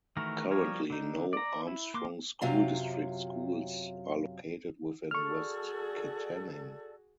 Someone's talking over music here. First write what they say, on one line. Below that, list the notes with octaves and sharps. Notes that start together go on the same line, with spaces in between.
Currently, no Armstrong School District schools are located within West Kittanning.
D#3 E3 A3 F#4 A#4
F3 G3 A#4 C#5
D3 D#4
D5 A#5
E4
A#3 C6 D6
F#2 C3 F#3 F4
F#4 G#4 A4 D5 C#6 F6